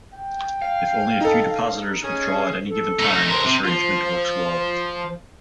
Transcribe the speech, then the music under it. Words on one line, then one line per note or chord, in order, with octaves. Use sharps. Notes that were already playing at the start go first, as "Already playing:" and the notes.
If only a few depositors withdraw at any given time, this arrangement works well.
G5
F5
D#4 A4
C#4 G#4
A4
A3 D#4
A#6
D2 A#4 C6
C3
F3 F4